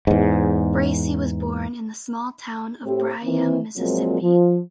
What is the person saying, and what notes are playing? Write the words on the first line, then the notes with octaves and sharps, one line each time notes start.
Bracey was born in the small town of Byram, Mississippi.
E2 G#2
A2 C4 G4
D#3 E3 C4
A#2 F3 F#3 G#3 A#3 C4
F3